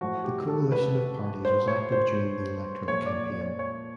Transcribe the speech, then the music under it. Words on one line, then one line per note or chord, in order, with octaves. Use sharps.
The coalition of parties was active during the electoral campaign.
A2 F3 F#4
G4
A4
B4
C5
C#5
C5
A#2 F3 C#5
D5
D5
C#5
C#5